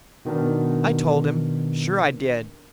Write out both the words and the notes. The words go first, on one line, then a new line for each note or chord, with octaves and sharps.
I told him; sure I did.
B2 D#3 B3 D4 A#4